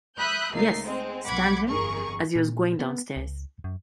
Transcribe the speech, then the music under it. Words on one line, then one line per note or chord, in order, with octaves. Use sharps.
Yes — stunned him — as he was going downstairs.
E5 B5 D#6 F#6 G6
C#2 A3 A#3 D#4 C7
G#3 C4
B1 F#5 B5 D6 G#6
G1 F2 G#4 A#4 C#6
A#2
B3
C#2
F#2